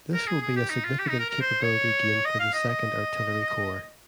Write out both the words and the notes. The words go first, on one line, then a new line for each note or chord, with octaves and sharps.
This will be a significant capability gain for the Second Artillery Corps.
A#4
G#4
G#4
G4
D#4
F4
G4
D#4
A#4
A#4
C5
C#5
D#5
F5
D#5
D#5